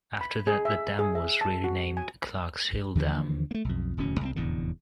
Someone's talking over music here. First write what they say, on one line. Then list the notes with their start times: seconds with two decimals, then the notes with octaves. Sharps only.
After that the dam was renamed "Clarks Hill Dam".
0.21 B5
0.47 G#4
0.65 E5
0.99 G#4
1.15 E5
1.41 A5
1.64 F#4
1.97 G#5
2.95 D#2 D3 E3 F3
3.51 A3 A#3
3.65 B1 F2
3.97 D1 E2 B2 C#4
4.21 C2 G3 C4
4.36 F1 E2 A2 D3